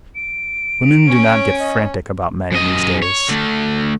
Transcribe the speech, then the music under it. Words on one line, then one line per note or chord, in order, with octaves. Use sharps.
Women do not get frantic about men in these days.
D7
C#4
D#5
F#2 D#5
C#5
D3 A3